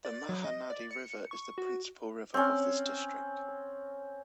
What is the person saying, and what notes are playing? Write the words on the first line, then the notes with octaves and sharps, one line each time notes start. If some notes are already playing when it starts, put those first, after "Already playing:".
The Mahanadi River is the principal river of this district.
D5
F#3
D#5
D5
C#7
C#6
F#4
C4 C#4